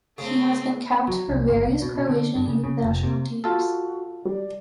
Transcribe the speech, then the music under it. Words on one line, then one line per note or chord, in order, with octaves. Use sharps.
He has been capped for various Croatian youth national teams.
C#3 A3 C4
F#3
C2
G1
C2
B2
B2
D3
G2
C#3
C#3
F1
C3
F4 F#4 A4
G3 D5